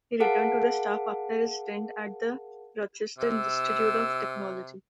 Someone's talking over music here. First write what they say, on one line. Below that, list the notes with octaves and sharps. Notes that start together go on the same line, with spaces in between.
He returned to the staff after his stint at the Rochester Institute of Technology.
G#4 A#4 F5 F#5 A5 D7
C3 E6